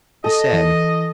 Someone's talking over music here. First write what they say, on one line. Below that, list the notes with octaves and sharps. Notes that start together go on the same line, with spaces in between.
He said...
A4 D#5
E3